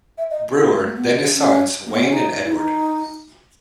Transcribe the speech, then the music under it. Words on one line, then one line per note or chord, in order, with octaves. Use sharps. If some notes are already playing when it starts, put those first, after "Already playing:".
Brewer, then his sons, Wayne and Edward.
E5
D#5
E4
G#3
A#3
B3
C#4
A#3
B3
C#4
D#4
E4
D#4